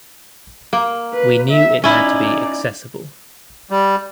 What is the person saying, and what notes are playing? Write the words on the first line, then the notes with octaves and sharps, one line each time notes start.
We knew it had to be accessible.
A#3
B4
E5
C#4 D#4 E4 D5
G3